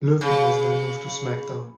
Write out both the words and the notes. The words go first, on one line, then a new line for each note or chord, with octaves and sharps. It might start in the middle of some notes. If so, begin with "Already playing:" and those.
Loewen was then moved to SmackDown!
C#3